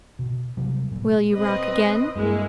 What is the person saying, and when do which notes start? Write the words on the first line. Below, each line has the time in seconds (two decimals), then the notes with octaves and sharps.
"Will you rock again?"
0.19 B2
0.57 C3 F#3 G3
0.91 A#2
1.31 C4 B4 D#5
2.16 G2 G#3 A#3 E4